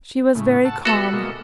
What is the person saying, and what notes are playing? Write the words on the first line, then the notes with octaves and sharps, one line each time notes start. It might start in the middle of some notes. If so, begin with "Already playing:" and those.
She was very calm.
A2 C#3
A4 F#5 A5
G3 B3 F#4 A4 E5
B2 G#3 A#3